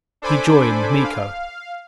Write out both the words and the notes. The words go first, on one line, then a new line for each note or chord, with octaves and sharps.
He joined Miko.
D4 A4 C5 G#5 B5 D6
F5